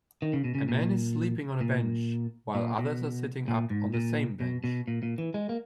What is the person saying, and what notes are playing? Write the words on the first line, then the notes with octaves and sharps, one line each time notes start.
A man is sleeping on a bench while others are sitting up on the same bench.
D#3
C#3
B2
C#3
A#2
A#2
A#2
B2
A#2
G#2
A#2
B2
B2
A#2
A#2
E3
G#3
A#3